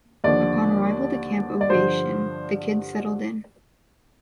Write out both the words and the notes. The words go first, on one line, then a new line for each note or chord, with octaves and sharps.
Upon arrival to Camp Ovation, the kids settle in.
D#2 D3 F3 D5
D5
G2 D3 F3 C5